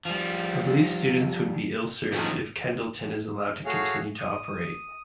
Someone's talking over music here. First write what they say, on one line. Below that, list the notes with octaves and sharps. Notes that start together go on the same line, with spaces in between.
I believe students would be ill-served if Kendleton is allowed to continue to operate.
F3 G3
D#3 F3 F#3 A3 B3 C#4
A3 F#4 G#4 C#5 F5
D#6